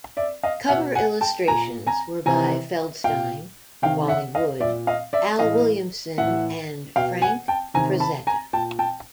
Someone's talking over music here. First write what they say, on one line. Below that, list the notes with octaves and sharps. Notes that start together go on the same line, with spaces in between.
Cover illustrations were by Feldstein, Wally Wood, Al Williamson and Frank Frazetta.
D5 E5
D#5 F5
B2 E5 F#5
F#5 G#5
G5 A5
A#2 G#5 A#5
G#5 A#5
C3 E3 G#5 A#5
A#2 F5 G5
C3 D#3 F5 G5
E5 F#5
D#5 F5
A#2 D5 E5
D#5 F5
D5 E5
A2 E3 D#5 F5
A2 E3 E5 F#5
B2 F5 G5
F#5 G#5
G5 A5
C3 D#3 G#5 A#5
A5 B5
G#5 A#5
A#2 G5 A5
G5 A5